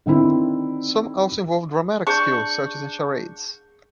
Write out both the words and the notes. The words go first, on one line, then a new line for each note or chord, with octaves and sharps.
Some also involve dramatic skill, such as in charades.
D3 D#3 C4 E4
D4 G#4 C#6 G6